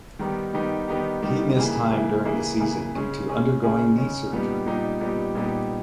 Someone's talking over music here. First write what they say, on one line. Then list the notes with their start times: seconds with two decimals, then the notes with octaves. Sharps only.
He missed time during the season due to undergoing knee surgery.
0.19 D#3 G3 B3 D#4 G4
0.53 D#3 G3 B3 D#4 G4
0.88 D#3 G3 B3 D#4 G4
1.22 D#3 G3 B3 D#4 G4
1.57 C#3 E3 A#3 E4 G#4
1.92 C#3 E3 A#3 E4 G#4
2.25 C#3 E3 A#3 E4 G#4
2.60 C#3 E3 A#3 E4 G#4
2.95 C#3 G#3 C#4 G#4
3.29 C#3 G#3 C#4 G#4
3.62 C#3 G#3 C#4 G#4
3.97 C#3 G#3 C#4 G#4
4.31 A#2 G3 B3 D#4 G4
4.66 A#2 G3 B3 D#4 G4
5.00 A#2 G3 B3 D#4 G4
5.35 A#2 G3 B3 D#4 G4